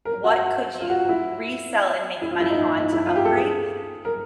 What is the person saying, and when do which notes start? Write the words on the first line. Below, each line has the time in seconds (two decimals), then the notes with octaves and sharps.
what could you resell and make money on to upgrade,
0.05 A#4
0.24 F#4
0.80 F4
0.90 F#4
1.09 E4
2.22 E4
2.31 F4
2.40 E4
2.50 D#4
2.78 D#4
2.93 E4
3.06 F4
3.16 G4
3.25 A4
3.35 G#4
4.05 A#4